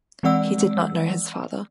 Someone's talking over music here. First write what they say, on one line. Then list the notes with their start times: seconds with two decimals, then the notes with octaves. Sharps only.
He did not know his father.
0.23 E3 G#3 C4 D5 F#5 E6